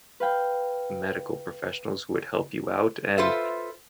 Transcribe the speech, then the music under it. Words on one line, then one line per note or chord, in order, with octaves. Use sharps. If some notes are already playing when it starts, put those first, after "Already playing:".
medical professionals who would help you out, and
B4 F5 G5
F4 A4 B4 C5 E5